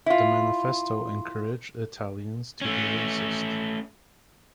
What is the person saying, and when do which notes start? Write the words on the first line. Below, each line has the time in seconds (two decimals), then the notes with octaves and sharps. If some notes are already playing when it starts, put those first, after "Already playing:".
The manifesto encouraged Italians to be racist.
0.06 E4 F4
2.61 A3 C#4